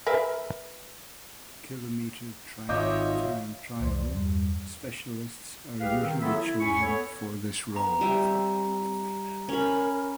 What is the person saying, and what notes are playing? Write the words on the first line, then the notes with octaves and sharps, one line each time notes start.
Kilometre track time trial specialists are usually chosen for this role.
A#4 B4 E5
G#1 F4 C#5 D#5 E5 D6 G6
C2 F2 E3 C5 D5 C6
E2 G2 G3
C2 G4 G#4 B4 F5
D#3 C4
F#3 B3 F4 G#4 A4 E5
E4
E2 C#4 G#5 B5 C#6
B3 A4 C#5
B3 A#5
G3 C4 E5 G5
C#4 A#4 B5